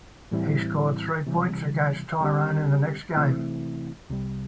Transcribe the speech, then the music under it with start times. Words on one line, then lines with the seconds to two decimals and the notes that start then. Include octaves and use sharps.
He scored three points against Tyrone in the next game.
0.31 A2 E3 G3 C4 E4
1.27 C3 E3 G3
2.21 D3 G3 C4 G4
3.15 C3 E3 A3 C4 E4
4.10 C2 C3 G3